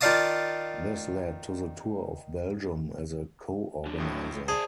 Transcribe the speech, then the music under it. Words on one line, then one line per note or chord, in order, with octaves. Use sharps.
This led to the Tour of Belgium as a co-organiser.
D#3 F4 D5 F5 A5 D#6
F#3 D4
A1 A2
G#4 C5 D5 A5